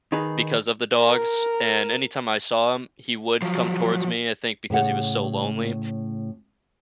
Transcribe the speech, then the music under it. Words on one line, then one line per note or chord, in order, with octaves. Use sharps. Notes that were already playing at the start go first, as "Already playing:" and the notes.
because of the dogs, and anytime I saw him, he would come towards me, I think, because he was so lonely,
D#3 D#4 G#4 B4
A#4
F3 F#3
A2 C#3 F#5